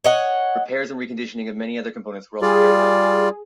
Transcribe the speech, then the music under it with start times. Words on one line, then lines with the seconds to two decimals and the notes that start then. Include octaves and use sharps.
Repairs and reconditioning of many other components were also carried out.
0.04 C#5 D#5 F#5
2.42 G3 F4 G#4 D5